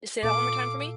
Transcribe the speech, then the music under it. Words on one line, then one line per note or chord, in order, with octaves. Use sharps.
Say that one more time for me.
A#2 A4 F5 D6